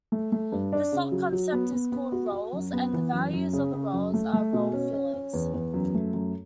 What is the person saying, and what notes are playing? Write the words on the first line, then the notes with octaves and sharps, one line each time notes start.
The slot-concept is called roles and the values of the roles are role-fillers.
A3
A3
G2
D4
C#3
F#3
F#3
B3
B3
B3
F#4
F#4
F#2
B3
E3
F#2
F#2
C#3
C#3
F#2
A3
A3
B2
C#4
C#4
C#4
E2
E2
F#2
A3
F#2